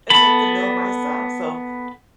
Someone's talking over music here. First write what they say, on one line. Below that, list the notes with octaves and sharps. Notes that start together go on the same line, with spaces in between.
and make the meal myself. So
B3 A4 B5